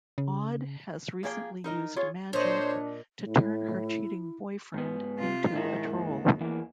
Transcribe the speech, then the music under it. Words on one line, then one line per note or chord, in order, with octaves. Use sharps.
Aud has recently used magic to turn her cheating boyfriend into a troll.
C#3
F3 A#3 G#4 C#5 G5
D#4 A#4 D#5
F4 G#4 C#5
A#2 D4 C5 C#5 D#5
A2 E4
G#2 B3
C3 F4
G#2 D#3 E4
D#2
E2 E3 A#3